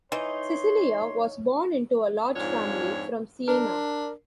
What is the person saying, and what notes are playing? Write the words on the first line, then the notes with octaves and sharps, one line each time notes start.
Cecilia was born into a large family from Siena.
E3 D#4 C#5 C6
F2 G#2 D4 F4 C#5
D4 A#4